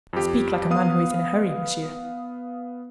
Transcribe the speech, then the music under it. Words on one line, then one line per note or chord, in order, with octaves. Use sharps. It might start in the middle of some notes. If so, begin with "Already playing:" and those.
"I speak like a man who is in a hurry, monsieur."
F2 G4
B3 F5 D#6